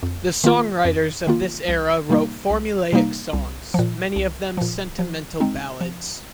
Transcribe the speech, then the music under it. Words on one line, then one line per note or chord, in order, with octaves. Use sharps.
The songwriters of this era wrote formulaic songs, many of them sentimental ballads.
F2
D#3 A#3 F4
F2
D#3 A#3 F4
C2
C3 G3 A#3 D#4
C2
C3 G3 A#3 D#4
C2
A#2 F3
C2
A#2 F3
F3
G#3 C4 D#4
F3